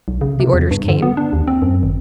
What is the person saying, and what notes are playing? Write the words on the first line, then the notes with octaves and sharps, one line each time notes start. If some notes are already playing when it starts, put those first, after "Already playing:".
The orders came.
B1
C#3
C3
E2
G2
D3
B3
D4
D#2
C4
F#2
G#1